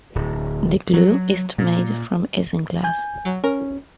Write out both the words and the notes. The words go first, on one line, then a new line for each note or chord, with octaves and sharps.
The glue is made from isinglass.
D1
F#3
A#2
G#5 G6
F#3
C#4 A#4